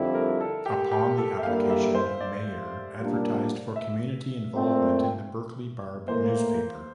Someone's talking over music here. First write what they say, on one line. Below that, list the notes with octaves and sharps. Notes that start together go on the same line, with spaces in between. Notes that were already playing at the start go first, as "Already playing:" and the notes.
Upon the application, Meyer advertised for community involvement in the Berkeley Barb newspaper.
Already playing: F2 D3 G3 C4 E4
A#4
A4
G4
G4
A4
E5
D3 G3 A#3 E4 F5
E5
C5
D5
A#2 G3 A#3 D4
E5
A#2 A3 C4
A2 E3 A#3 C5